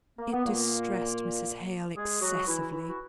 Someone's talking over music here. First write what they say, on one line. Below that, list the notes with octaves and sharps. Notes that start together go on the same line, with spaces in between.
It distressed Mrs. Hale excessively.
A#3
B3
A#2 A#3
G#3 G#4
F#3 F#4
E3 E4
E3 E4
F#4